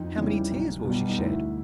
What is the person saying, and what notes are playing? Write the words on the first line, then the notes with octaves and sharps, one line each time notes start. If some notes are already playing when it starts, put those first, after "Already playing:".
How many tears will she shed?
Already playing: F2 D#4
C#3 E3 G3
B1
B2 G3
D#4
D2 E4